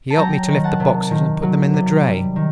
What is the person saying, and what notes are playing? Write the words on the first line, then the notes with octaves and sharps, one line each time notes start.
He 'elped me to lift the boxes and put them in the dray.
A5
F#3 G5 A#5
D#3
F#5 A5
C3
D#3
F#3
C3
G3
D#3